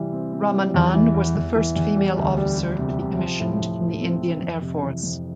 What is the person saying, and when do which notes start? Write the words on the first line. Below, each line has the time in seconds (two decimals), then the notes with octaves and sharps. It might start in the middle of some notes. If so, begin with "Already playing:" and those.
Ramanan was the first female officer to be commissioned in the Indian Air Force.
Already playing: C3 E3 G3
0.13 C4
0.33 C4
0.54 G3
0.74 E2
0.94 E3
1.15 E2
1.36 E2
1.55 E3
1.76 E2
1.96 G3
2.18 D2
2.38 G3
2.58 G3
2.79 C3
2.99 C3
3.19 F3
3.40 A2
3.60 F3
3.81 A2
4.01 C4
4.21 C4
4.42 F2
4.62 C3
4.82 E3
5.03 F2